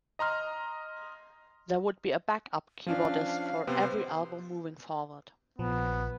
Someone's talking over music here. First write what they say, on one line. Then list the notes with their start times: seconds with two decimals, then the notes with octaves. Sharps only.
There would be a backup keyboardist for every album moving forward.
0.19 D#5 A#5 C6 F6
2.86 F3 C#4 D4 F5
3.67 C3 B3 C4 C5
5.59 A#1 F3 B3